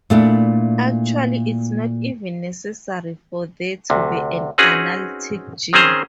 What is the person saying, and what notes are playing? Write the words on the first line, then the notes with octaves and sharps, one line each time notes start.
Actually, it's not even necessary for there to be an analytic "g".
A#2 A3 D4 E4
D2 C3
C4 C#4 D#4 F#4 G#4 B4
D#3 C4 C#4 G#4 C5 A#5